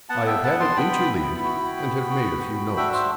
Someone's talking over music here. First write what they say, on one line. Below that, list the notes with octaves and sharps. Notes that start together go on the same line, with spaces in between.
"I have had it interleaved, and have made a few notes."
B3 F#5 A5
E5 G5
B3 F#5 A5
A5 C6
B3 G5 B5
E4
F#4
B3
F#4
F#4
D4 E5 G5
C5 E5